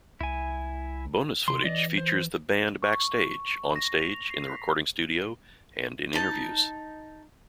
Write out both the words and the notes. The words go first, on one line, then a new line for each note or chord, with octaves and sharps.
Bonus footage features the band backstage, on-stage, in the recording studio and in interviews.
C2 E4 G#5
C3 C6
E3 D5 D#5
C5
C#6
A#6
F7
C7
B6
D#4 A5